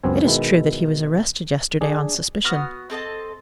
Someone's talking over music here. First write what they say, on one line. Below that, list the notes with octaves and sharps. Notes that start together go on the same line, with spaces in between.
"It is true that he was arrested yesterday on suspicion."
C#2 F#2 B3 C4 G#5
B2 D#3 G#3 E4 E5
D4 G#4
B3 F#4 D#6 F6
C4 A4 D#5 A5